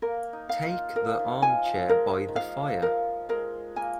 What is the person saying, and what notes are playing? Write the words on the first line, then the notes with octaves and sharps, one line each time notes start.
Take the armchair by the fire.
A#3 A#4
D#4
F5
F4
F3 A#4
D#3
F3 G#5
F3
G#3 A#4
D#3
F3 F5
F3 A#4
G#3 A#4
A#3 G#5